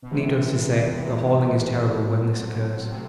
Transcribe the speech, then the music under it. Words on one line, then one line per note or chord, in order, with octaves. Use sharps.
Needless to say, the hauling is terrible when this occurs.
B2
C3 E3 G#3 B3
C3
C3
B2 F#3 A3 C4
C3